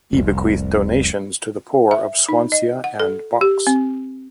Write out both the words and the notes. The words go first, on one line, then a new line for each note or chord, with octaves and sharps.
He bequeathed donations to the poor of Swansea and Box.
F1 C2
E5
D#4
D#5
F#5
A4
G4
C4